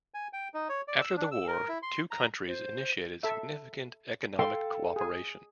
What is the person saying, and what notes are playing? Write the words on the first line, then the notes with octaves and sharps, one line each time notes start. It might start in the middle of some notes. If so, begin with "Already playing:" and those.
After the war two countries initiated significant economic cooperation.
G#5
G5
D#4
C#5
D5
E6
D4
E6
A#4
E4
C6
A#5
C5
A4 E5
A4 F5 G5 C6
G#4 G#5